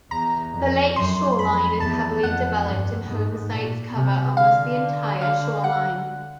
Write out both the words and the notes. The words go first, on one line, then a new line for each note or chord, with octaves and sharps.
The lake shoreline is heavily developed and homesites cover almost the entire shoreline.
E2 A#5
F2
F#2 C6
F2 B5
E2 A5
F2 F#5
G2
G#2
A#2
C3
D3 F5
F5
F#5